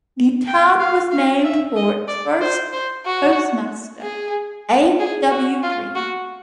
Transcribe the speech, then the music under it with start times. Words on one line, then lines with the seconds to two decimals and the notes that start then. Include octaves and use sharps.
The town was named for its first postmaster, A. W. Green.
0.47 G5
0.80 F5
1.12 F5
1.44 E5
1.76 D#5
2.08 D5
2.41 C5
2.73 C5
3.05 F#4
4.02 G#4
4.99 G#4
5.31 F#4
5.63 F4
5.96 F#4